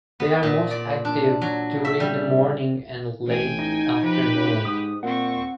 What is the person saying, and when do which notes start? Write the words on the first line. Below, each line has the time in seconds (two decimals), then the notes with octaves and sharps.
They are most active during the morning and late afternoon.
0.20 B3
0.43 A#2
0.71 D5
1.05 D4
1.41 F#3
1.85 E5
2.00 G3
3.27 A1 G5 G#5
3.59 D#4
4.02 F3 G4 B4
4.35 C#3
4.65 G#2 D#6
5.03 A#2 C4 F#5 C#6